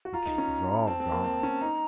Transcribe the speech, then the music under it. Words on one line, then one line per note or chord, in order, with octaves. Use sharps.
The cake was all gone!
F#4
F4 A#5
D#4
C#4
C4 A5
C4
A#3
C4
C#4
D#4 A#5